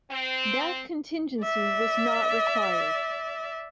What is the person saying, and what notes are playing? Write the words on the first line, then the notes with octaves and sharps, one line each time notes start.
That contingency was not required.
C4
D5 E5